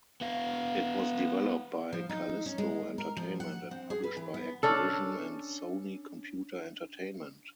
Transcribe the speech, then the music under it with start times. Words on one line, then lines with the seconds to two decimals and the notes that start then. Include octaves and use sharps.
It was developed by Kalisto Entertainment and published by Activision and Sony Computer Entertainment.
0.21 B3 F5
1.92 F3
2.09 D#4
2.46 C#4
2.58 G#3
2.98 A#4
3.17 F3
3.40 F#5
3.71 C4
3.90 G#4
4.04 B4
4.17 E3
4.34 B3
4.63 C#4 D4 A4